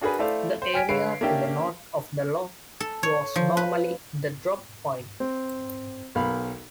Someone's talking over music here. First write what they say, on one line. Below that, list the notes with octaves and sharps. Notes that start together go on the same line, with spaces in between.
The area to the North of the loch was normally the drop point.
D4 F#4 G#4 A#4 B4
A3 E4 A4 C5 D5 F5
C5
G5 G#5 F6 G#6 B6 D7
D3 B4 C#5 F5 C7 D7
A#3 C#4 D4 G4 E5 G5
A4
C#5
F3
B4
C4
B1 A#4 F5 B5